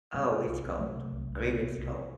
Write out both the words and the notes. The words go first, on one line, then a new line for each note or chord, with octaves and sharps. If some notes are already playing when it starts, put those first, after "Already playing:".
Oh, it's cold. I mean, it's cold.
C3 G3 B3
C3
C2
C2
C3 F#3 A3
C3
C2
C2
C3
C3
C2